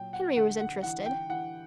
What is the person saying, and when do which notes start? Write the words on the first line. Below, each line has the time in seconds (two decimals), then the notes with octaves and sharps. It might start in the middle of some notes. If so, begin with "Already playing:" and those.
Henry was interested.
Already playing: A#2 F#3 G5
0.13 F#5
0.36 D3 F#5
0.60 F#5
0.83 E3 F#5
1.06 G5
1.29 E3 F#5